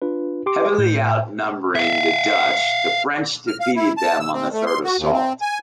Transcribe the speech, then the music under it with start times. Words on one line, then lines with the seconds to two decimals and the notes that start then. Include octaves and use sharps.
Heavily outnumbering the Dutch, the French defeated them on the third assault.
0.02 D4 F4 B4
0.46 G4 C6 D6
0.78 A2 G6
1.75 E5 F5
3.47 F6
3.60 F5
3.76 E4
3.97 A5
4.20 E6
4.34 C4
4.53 A3
4.67 C6
4.84 F#4
4.98 D#2
5.13 C4
5.41 G#5